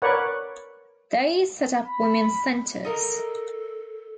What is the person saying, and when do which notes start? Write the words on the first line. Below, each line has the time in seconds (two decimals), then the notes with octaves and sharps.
They set up women's centres.
0.02 A#4 B4 C#5 D5 F#5
1.86 B5
2.85 A4 A#4 D#5